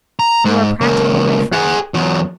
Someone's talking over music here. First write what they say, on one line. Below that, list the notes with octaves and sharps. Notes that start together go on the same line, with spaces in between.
'You are practical, my friend.
A#5
G#2
C#2 A#3
G#4 F#5
E2 F#3